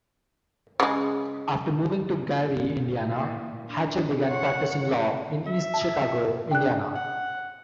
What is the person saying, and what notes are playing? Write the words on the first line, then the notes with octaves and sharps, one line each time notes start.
After moving to Gary, Indiana, Hatcher began practicing law in East Chicago, Indiana.
C#3 G#3
A#2 E3
D4
C#5 F#5
E5
A5
D4 G5 F#6
F#5